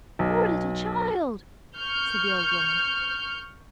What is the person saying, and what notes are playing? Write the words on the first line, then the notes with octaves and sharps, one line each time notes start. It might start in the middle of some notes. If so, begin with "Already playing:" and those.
"Poor little child!" said the old woman.
B1
C#6 F6 G6